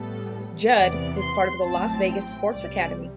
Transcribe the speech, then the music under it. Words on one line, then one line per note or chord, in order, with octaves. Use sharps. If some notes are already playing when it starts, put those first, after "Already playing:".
Judd was part of the Las Vegas Sports Academy.
Already playing: A1 A2 G3 B3 A4
E2 C3 E3 B3 D5
C6
A1 A2 F#3 C4 A5
G5
C2 C3 G3 D5